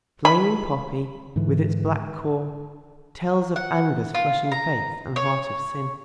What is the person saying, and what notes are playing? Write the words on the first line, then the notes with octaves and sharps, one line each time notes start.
The flaming poppy, with its black core, tells Of anger's flushing face, and heart of sin.
B5
G#2 D3 E3
F#5
F4
A#5
C#5